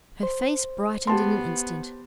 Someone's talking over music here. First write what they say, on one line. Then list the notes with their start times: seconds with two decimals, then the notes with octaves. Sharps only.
Her face brightened in an instant.
0.23 C5
1.07 B3 G4 A5 C6